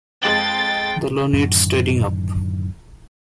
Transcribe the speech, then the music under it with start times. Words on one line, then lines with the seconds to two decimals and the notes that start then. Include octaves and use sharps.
The law needs tidying up.
0.24 F2 G#3 G5 A6 F#7
1.33 F#2 A2 D3 D#3